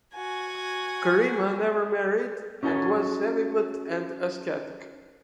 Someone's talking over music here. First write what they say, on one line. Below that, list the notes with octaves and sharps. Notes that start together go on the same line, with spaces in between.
Karima never married and was celibate and ascetic.
F#4 G#5
C#4 D#4 F#4 A4 C#5 G#5